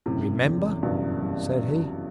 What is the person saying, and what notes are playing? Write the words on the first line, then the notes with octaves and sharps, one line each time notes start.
"Remember!" said he.
F#1 A2 C3
E2
F#1 G2 B2
G3